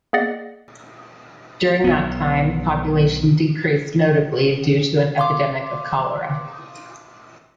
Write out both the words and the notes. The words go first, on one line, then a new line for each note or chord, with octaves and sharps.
During that time, population decreased notably due to an epidemic of cholera.
A#3 B3 G#4 D5 D#5 F#5
B1 B3
F5 C6 D6